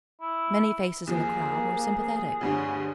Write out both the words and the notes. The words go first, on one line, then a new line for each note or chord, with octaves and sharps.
Many faces in the crowd were sympathetic.
E4
D#2 F3 A#3 G#4
D2 G2 D3 C#5